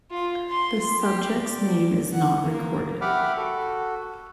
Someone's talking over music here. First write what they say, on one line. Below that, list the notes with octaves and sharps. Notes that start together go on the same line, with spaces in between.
The subject's name is not recorded.
F4
C6
G4
D5
F#5
A#3
G4 E5 F#5 B5 D6 F6
F#4 A4